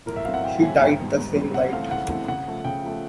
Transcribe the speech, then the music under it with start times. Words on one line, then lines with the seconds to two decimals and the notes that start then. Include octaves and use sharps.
He died the same night.
0.06 A2 A#4
0.16 E5
0.25 F#3 A3 C4 F5
0.34 F#5
0.43 A2 G5
0.61 F#3 A3 C4 G#5
0.80 G#2 G5
0.99 D#3 G3
1.17 G#2
1.36 D#3 G3
1.54 C#3 F#5
1.73 E3 A3 C4 F5
1.91 C#3 F#5
2.09 E3 A3 C4
2.28 C#3 F#5
2.47 F3 A3
2.64 C#3 G5
2.83 F3 A3